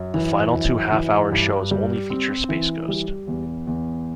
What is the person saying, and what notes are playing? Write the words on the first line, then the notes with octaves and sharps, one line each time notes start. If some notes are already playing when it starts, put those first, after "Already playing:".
The final two half-hour shows only feature Space Ghost.
Already playing: F#2
E3
F#2
E3
G2
G3
C4
E3
G3
E2
E2